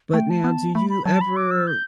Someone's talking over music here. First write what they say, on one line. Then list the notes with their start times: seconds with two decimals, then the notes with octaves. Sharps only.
But now, do you ever
0.13 A3 G5
0.30 A5
0.44 B3
0.75 A3 B5
0.90 B5
1.05 F#3 A5
1.21 B5
1.36 D6
1.51 E6
1.67 G6